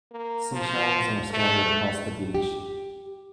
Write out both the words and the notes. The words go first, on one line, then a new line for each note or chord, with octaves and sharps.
Sea shells are scattered across the beach.
A#3
F3
A3
G4